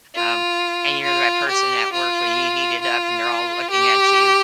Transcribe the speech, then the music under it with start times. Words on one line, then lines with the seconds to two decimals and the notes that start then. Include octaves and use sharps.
um, and you're the right person at work when you heat it up, they're all looking at you,
0.15 F4
1.03 F4
1.49 G4
1.93 F4
2.82 F4
3.71 G4